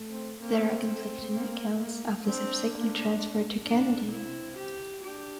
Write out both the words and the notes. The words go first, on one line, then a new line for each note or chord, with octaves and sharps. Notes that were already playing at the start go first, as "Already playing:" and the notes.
There are conflicting accounts of the subsequent transfer to Kennedy.
Already playing: A3
C4
A#3 C4
A3
A#3
A#3
C4 D4
A#3
D4
C4 E4
G4
D4 G4